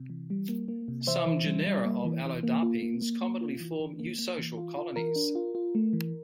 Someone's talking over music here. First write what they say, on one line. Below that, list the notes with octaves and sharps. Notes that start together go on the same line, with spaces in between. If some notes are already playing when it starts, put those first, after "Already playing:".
Some genera of Allodapines commonly form eusocial colonies.
Already playing: C3
E3
G3
A#3
A#3
C3
E3 C5 E5
E3
G3
G3
A#3
E3
E3
A#3
F4
A#3
A#3
A#3
F4
E3
E3
A#3
A#3
E3
F4
F4
E3 A#4
D4
F4
F4
A3
E3